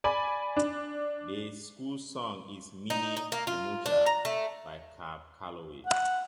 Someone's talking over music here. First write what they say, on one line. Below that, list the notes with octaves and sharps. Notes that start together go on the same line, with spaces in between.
The school song is "Minnie the Moocher" by Cab Calloway.
D5 G#5 B5
D4
D#4
D#4
A#3
F4
D4
A#5
A3
F#5